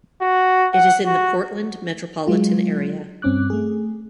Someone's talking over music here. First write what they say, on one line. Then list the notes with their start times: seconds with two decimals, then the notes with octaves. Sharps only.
It is in the Portland metropolitan area.
0.22 F#4
0.74 F#5
1.06 F#4
2.27 F#3 G#3 F4
3.22 G2 C4 C#4 D6 F#6
3.50 A3 G#4